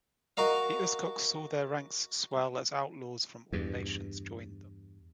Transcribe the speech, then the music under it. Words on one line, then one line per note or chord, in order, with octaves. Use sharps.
The uskoks saw their ranks swell as outlaws from all nations joined them.
F#4 A#4 D#5 F5
E2 G2